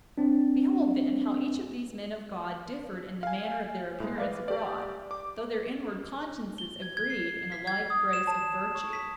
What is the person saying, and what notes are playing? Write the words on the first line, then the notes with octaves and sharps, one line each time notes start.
Behold then how each of these men of God differed in the manner of their appearance abroad, though their inward consciences agreed in a like grace of virtue.
C4 D4
F5 G#5
A2 G#3
B4 D5 F5
G4 D5
D6
G7
G#6
G#6
C7
B6
G#6
D#6
E7
A5
C#6
B6